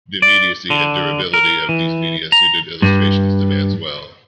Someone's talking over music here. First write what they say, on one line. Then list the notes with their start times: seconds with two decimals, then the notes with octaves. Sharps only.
The immediacy and durability of these media suited illustration's demands well.
0.22 D5
0.70 D3
1.34 A#4
1.69 E3
2.32 A#5
2.82 G2